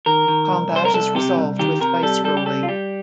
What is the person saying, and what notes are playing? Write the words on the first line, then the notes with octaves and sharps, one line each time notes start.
Combat is resolved with dice rolling.
D#3 A#4
D#3
C2
C2 C5
A#4
C2 A4
C3 G4
C2
D#3 G4
C3 A#4
G3 A4
G3 A4
G4
G3 A4
F4
G3 G4